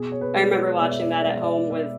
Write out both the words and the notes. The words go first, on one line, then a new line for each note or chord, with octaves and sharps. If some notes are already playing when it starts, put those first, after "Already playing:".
I remember watching that at home with,
Already playing: B2 G#4
C#5
B4
G#3 D5
C#5
B2 D5
E5
D5
E5
G#3 D5
E5
D5
B2 E5